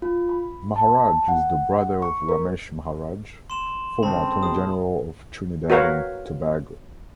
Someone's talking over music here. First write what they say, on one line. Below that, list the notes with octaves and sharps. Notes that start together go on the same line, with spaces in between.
Maharaj is the brother of Ramesh Maharaj, former Attorney General of Trinidad and Tobago.
F4
B5
A5
F#5
C#6
A#4
C6 E7 F#7
G2 C#3 C4 A5 B5
B2 G#4 D#6
F#4 A#4 B4 C#5 F5